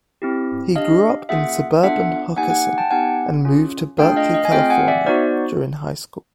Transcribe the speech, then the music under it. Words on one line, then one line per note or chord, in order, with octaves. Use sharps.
He grew up in suburban Hockessin and moved to Berkeley, California during high school.
C4 E4 G4
D4 G4 D#5 F5
A#3 C#4 F4 G#4 E5 F#5
B3 D4 F4 A4 E5 F#5
A#3 D#4 G4 F#5 G#5
F#5 G#5
G5 A5
B3 D#4 G4 F#5 G#5
C#4 F4 G#4
A3 D4 F4 G#4 F5 G5
D#5 F5
D#5 F5
G#5
A3 C4 F4 G#4 F5 G5
F#5 G#5
D5 E5
B3 D#4 F#4 C5 D5